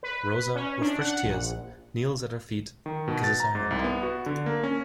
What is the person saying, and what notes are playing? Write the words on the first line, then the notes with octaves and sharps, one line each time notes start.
Rosa, with fresh tears, kneels at her feet and kisses her hand.
B4
C#4
D4
F#5
A#1
D#3
B2
A6
A#5
G#2
C2
B3
F#4
D3
A#3
C#4